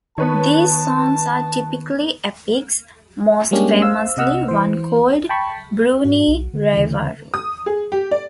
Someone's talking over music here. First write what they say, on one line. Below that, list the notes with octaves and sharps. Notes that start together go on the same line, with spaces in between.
These songs are typically epics, most famously one called "Burunee Raivaru".
D#3 B3 B4 C#5 A5
G3 G#3 A#3 C#4 D4 G4
C5 F5 E6
C3 D#5 F#5 E6 F6
E3 C5
G5 A5 B5 C#6
G#2 F#4
B1
D3
D#2 C#3 E3
D#6
G#4
G4
D5